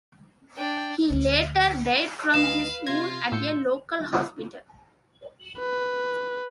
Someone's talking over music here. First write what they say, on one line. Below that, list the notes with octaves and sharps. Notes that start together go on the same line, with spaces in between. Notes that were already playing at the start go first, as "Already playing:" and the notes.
He later died from his wound at a local hospital.
D4 G5
D2 F3
D2 D#4 B4 D#5 F5 E7
C3 F4 C6 G#6 A#6
A2 E6 G6 C#7
B4